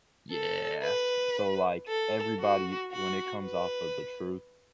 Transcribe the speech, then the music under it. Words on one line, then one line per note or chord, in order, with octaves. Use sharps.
Yes, so like everybody when it comes off of the truth,
A4
B4
A4
F#4
F#4
B4